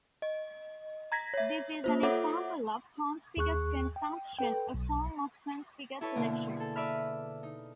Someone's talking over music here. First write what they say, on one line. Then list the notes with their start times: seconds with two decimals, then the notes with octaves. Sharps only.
This is an example of "conspicuous consumption," a form of conspicuous leisure.
0.22 D#5
1.12 A#5 G#6 A#6 B6
1.34 C#5 E5
1.84 A#3 F4 C5
2.03 F4 A4 C#5 E5 F#5 D6
3.37 D#2 G#4 C#6 F#6
3.96 G5
4.38 A4 B4 G5
4.74 B1
6.01 E4 A4 B4 C#5
6.15 B2 D3 A#3
6.57 G#4 A4
6.75 B4 D5 E5 B5 F6
7.43 D#4